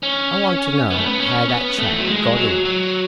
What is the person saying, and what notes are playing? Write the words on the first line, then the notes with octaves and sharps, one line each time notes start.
I want to know how that chap got in.
C#4
B3
A3
B3
C#4
B3
A3
E3
F#3
G#3
F#3
F#3